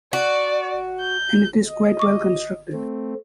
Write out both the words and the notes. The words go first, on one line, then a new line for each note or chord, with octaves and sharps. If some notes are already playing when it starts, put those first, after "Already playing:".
And it is quite well constructed.
F#4 D5
G6
D#5
C#6 D6
A3 C4